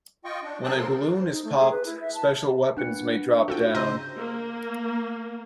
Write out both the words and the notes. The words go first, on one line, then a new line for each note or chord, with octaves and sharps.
When a balloon is popped, special weapons may drop down.
F4 D#5 G5 C#6
D4
F#3 C4 G#4 G5 A5 F#6
G#2 F3 A#3 A4 A#4 C6
C5
D#4
A3
G#4
B4
E4
E5
A5
A#3 B3 D4 F#6 C#7
C4 D#4 F4 F#4 A4 G5
C#3 D4 C5 D#5 A#5 E6
A#3